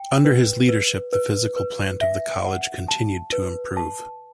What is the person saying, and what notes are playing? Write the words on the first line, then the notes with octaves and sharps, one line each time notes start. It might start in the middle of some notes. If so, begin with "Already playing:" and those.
Under his leadership, the physical plant of the College continued to improve.
Already playing: G5
B4
B4
B4
B4
E5
F#5
A5
B4
A5